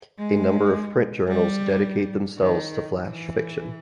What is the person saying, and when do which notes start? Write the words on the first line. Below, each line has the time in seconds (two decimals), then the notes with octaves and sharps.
A number of print journals dedicate themselves to flash fiction.
0.18 G#3
1.28 G3
2.38 D#3
2.92 E3